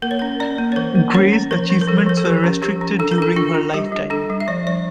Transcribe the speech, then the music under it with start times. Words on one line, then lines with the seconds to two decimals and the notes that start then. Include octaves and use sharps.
Gray's achievements were restricted during her lifetime.
0.02 A#3 A#4
0.11 C#5
0.19 C#4 A#4
0.40 C#4 D5
0.58 A#3
0.72 C#5
0.76 E3 A#4
0.95 A#3
1.14 C#4 C#5
1.32 C#4
1.51 F3 A#4
1.70 F3
1.81 A#4
1.88 F3 A4
2.06 F3 A#4
2.17 A4
2.25 F3 G4
2.44 C#4
2.62 F3 G4
2.81 C#4
2.99 D4 A4
3.12 A#4
3.18 D4 A4
3.36 D4 F4
3.55 D4
3.74 G3 G4
3.92 G3
4.10 D4 A4
4.30 G3
4.40 E5
4.48 F3 D5
4.67 F3 D5